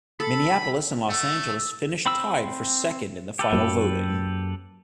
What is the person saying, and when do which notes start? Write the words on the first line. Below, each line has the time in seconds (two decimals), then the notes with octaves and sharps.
Minneapolis and Los Angeles finished tied for second in the final voting.
0.20 A4 B5
1.10 A3 E6
2.05 C4 B5 E6
3.39 G4 A4 B4
3.53 F#2 F#3 A#3